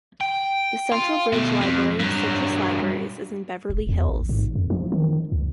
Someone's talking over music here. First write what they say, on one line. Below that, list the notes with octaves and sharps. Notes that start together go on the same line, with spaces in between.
The Central Ridge Library of Citrus Libraries is in Beverly Hills.
G5
F4
B2 A3
F2
G2 F#3
D1
E2
A1
G#2
F2
F3
D#3
C#2